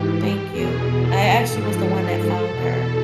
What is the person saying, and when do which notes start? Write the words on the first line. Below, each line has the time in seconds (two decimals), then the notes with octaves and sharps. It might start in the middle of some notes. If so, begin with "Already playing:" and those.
Thank you. I actually was the one that found her
Already playing: G#2 E3 G4
0.52 E2 B2 G#4
1.02 A4
1.50 G#2 F3 A4
2.49 E2 B2